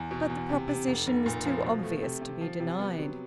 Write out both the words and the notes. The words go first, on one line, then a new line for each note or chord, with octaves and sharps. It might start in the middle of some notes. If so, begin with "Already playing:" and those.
But the proposition was too obvious to be denied.
Already playing: E2
B2
E2
C3
C3
F1
F1
A#2
F3
B2
A3
C3
C3
F3
C3
B3
F#3